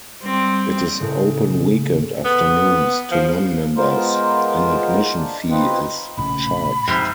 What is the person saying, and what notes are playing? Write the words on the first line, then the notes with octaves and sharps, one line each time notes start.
It is open weekend afternoons to non-members; an admission fee is charged.
G3 C4
A2 C#3
B3
F3
G#3 B3 F4 A#4 C5
D4
C4 D#4 F4 B4
A#1 A2 C#3 B5
F2 G#2 C3